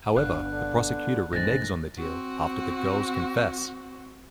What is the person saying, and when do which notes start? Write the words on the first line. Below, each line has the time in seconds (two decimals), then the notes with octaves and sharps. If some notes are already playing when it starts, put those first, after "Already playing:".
However, the prosecutor reneges on the deal after the girls confess.
0.17 G1 G2 B3 D4 F5 F#6
0.52 D3
1.33 A1 F2 A#2 D3 G#3 C4 A6 A#6
1.98 C4 F#4